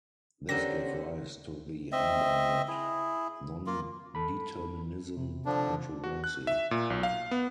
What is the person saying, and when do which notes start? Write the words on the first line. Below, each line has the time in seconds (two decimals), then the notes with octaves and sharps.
This gave rise to the Unbounded nondeterminism controversy.
0.49 D3 B3 C#4 G4 A#4 C5 A#6
1.92 C4 D#5 E5
2.68 E4 G#4
3.67 A#3 F4
4.15 A4 B5
5.17 C3
5.46 D3 F3 D4
6.04 F#4
6.24 F#6
6.47 E5
6.71 A#2
6.90 B1
7.03 F5
7.31 B3